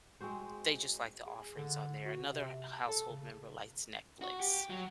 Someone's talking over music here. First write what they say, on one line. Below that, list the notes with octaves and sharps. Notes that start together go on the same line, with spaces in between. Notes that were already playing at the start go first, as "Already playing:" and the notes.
they just like the offerings on there, another h household member likes Netflix;
G#3 C4 F#4 C5
G#4
D3
F#4
C3
A4
C#3
F#4
G4
F#3